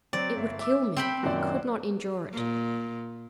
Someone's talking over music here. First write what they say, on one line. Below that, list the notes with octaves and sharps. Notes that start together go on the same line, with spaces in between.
It would kill me; I could not endure it.
F#3 C4 D5
G1 E5
E5 D6 E6
C4 G5 B5
F#2 A#2 D#3 F#4 C#5 D5
A#2